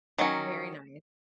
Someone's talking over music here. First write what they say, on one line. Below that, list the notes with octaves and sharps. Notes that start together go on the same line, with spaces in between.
very nice.
D#3 F#3 C#4